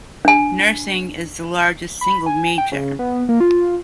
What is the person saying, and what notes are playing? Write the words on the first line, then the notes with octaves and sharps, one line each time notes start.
Nursing is the largest single major.
D4 G#5
B5
G#5
G5
C#3
B3
A#3
F4